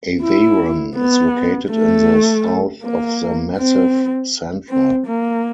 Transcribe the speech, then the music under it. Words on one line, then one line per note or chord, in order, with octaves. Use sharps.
Aveyron is located in the south of the Massif Central.
E4
B3
A3
A#3
C4
C4
A#3